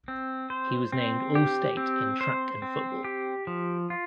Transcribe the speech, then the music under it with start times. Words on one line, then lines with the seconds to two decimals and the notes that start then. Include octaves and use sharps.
He was named All-State in track and football.
0.08 C4
0.50 C5
0.92 C4
1.35 G4
1.77 C4
2.21 C5
2.62 C4
3.04 G4
3.47 F3
3.90 F4